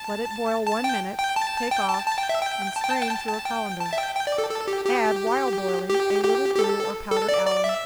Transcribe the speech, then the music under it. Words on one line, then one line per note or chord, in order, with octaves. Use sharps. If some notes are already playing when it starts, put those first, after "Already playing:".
Let it boil one minute, take off and strain through a colander. Add, while boiling, a little glue or powdered alum.
Already playing: A5
A5
G5
G5
A5
G5
A5
A5
G5
E5
G5
A5
G5
A5
G5
A5
A5
G5
A5
E5
G5
G5
D5
A4
A4
G4
G4
G4
G4
G4
A4
A4
D5
D5
E5